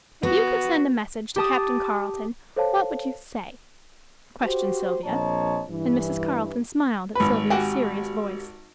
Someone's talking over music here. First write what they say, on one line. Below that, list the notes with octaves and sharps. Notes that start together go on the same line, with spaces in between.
"If you could send a message to Captain Carleton what would you say?" questioned Sylvia, and Mrs. Carleton smiled at Sylvia's serious voice.
B3 F#4
G4 A5 D#6
A4 C5 C#5 F5 A5
F#4 G4 C5
A#1 C4 C#5 D#5 A5 A#5
G2 E3
G#1 B4
F#4 G4 G#5